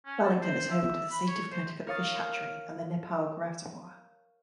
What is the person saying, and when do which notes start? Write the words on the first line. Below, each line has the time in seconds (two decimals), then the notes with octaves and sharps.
Burlington is home to the State of Connecticut Fish Hatchery and the Nepaug Reservoir.
0.06 C#4
0.23 A5
0.42 C5
0.71 E5
1.11 B5
1.28 C#5
1.52 C5
1.87 A#4 C#5 F5 C#6 D#6 A6